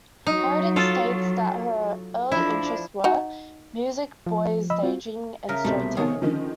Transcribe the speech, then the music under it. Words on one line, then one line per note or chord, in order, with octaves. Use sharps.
Harding states that her early interests were, "music, boys, daydreaming and storytelling".
F#3 D#4
F4 A4
F3 D4 E4
D#4 F#4
F3
D#5 B5 E6
C4 F4 F#4
C#3 A#4 E5
C2 B2 G3 A3 C4
C3 D#3 B3 G#4 C#5
D3 D#3 F3 C#4